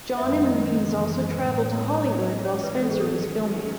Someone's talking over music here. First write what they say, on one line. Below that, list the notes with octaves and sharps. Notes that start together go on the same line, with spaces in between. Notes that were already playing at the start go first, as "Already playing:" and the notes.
John and Louise also traveled to Hollywood while Spencer was filming.
F#2 D#3 G#3 D#4 E5
D#5
F#2 C#3 E3 G#3
A2 G#3 D#4 B4
C#5
A2 F#3 C#4 C#5
C#5
D#5
G#2 E3 G#3 D#4 C#5
B4
A4
G#4
D#3 F#3 C#4 A4